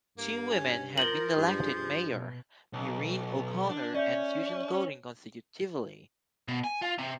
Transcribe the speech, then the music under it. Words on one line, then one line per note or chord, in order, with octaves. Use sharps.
Two women have been elected mayor: Maureen O'Connor and Susan Golding consecutively.
G2 A#3
C#4
F3 A#4 F#7 G7
G2 G#4
G2
B2
B1
D4
C#4 D5 E5 G6
B2
G#5
F4
C3